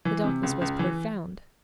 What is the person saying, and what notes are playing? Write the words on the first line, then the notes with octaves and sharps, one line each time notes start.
The darkness was profound.
E3
C3
C#2
C#2
E3